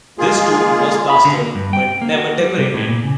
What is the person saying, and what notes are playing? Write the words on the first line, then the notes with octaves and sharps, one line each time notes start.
This tomb was plastered, but never decorated.
G#3 A#3 F4 G#4
B5
D3
A#3
G2
G5
A#3
F#4
G3
C3
A2
A#2
C#3